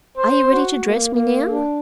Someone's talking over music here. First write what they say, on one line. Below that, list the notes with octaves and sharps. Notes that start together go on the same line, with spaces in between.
"Are you ready to dress me now?"
C5
F#4
A#3
A#3
D4